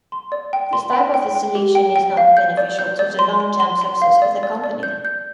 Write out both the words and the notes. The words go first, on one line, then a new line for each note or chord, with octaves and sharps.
This type of oscillation is not beneficial to the long-term success of the company.
C6
D5
G5
C6
G5
G5
G5
G4
G5
G5
F5
G6
D5
G6
D5
C6
C6
C6
C6
F5
D5
D5
D5
G6
G6